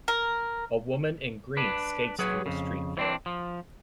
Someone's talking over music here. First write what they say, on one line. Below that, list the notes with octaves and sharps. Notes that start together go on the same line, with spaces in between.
A woman in green skates through a street fair.
A#4
D4 B4
F#3 G#4 B4 C#5
F2 C#3
E3 C4 D4
F3